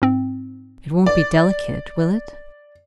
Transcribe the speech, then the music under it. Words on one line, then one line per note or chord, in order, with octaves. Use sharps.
"It won't be delicate, will it?"
G#2 C4
D5